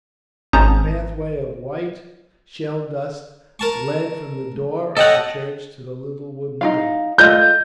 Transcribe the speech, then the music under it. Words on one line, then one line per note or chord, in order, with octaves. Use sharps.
A pathway of white shell-dust led from the door of the church to the little wooden gate.
G#1 C#4 A5 A#5 D#6 G6
A#4 A5 C#6
A4 C#5 D#5 F#5 G5 A5
D#4 F4 F5
F4 A4 D#5 G6